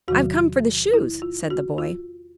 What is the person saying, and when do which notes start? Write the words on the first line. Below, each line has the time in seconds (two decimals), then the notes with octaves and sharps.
"I've come for the shoes," said the boy.
0.08 E2 C3 D#3 F#3 F#4
0.94 E4
1.22 F4
1.50 F#4
1.78 F4